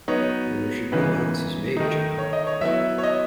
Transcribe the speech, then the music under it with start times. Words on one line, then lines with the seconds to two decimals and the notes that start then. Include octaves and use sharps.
And there should be allowances made, Jenna.
0.08 F#3 B3 D#4 C#5
0.92 C#3 E3 B3 D#4 B4
1.77 D#3 A3 D#4
2.19 C#5
2.33 D#5
2.47 C#5
2.61 F#3 B3 E4 E5
2.98 C#5
3.03 D#5